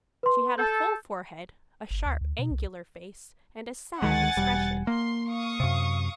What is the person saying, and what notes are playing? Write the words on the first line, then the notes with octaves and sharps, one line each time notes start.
She had a full forehead, a sharp, angular face and a sad expression.
B4 C6
A4 G6
G1
D2
D2
B2
C2
D2 D#3 G#3 F#5 G#5 A6
E1 G3
A#3 C6
F5 C#6 D#6
F#2 C3